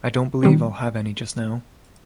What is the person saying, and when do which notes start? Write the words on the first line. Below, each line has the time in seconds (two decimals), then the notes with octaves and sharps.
I don’t believe I’ll have any just now.
0.43 D#3 G3 C4